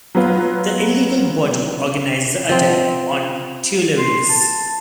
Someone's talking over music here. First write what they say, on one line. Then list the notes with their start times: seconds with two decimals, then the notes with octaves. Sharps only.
The illegal body organized the attack on Tuileries.
0.15 F#3 B3 F4
2.49 F3 C4
3.98 C6
4.30 A5